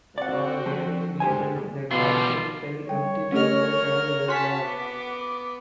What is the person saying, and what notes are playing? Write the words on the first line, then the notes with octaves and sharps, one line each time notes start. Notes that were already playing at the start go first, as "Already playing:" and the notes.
For various reasons the castle fell empty during the Second World War.
C4 F#4 D5 F#5
F3
G3 G#3 G4 C5 G#5
B2 E3 G3 F4
G3 C#5 G5
A3 C#4 G4 A#4 D#5 F6
C#4 F#4 A5 C6 B6
B3 D6